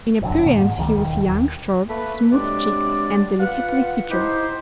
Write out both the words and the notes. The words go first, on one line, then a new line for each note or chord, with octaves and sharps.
In appearance he was young, short, smooth-cheeked, and delicately featured.
F1 F#2 D3
B2 D#3 A#3
G#2
C#2 D#3 F#3 G3
E1 D#2
A3 A#3 B4
C3 F#3 G#3 D4 D5
F4 B4 F#5
D#4 E4 G4 C5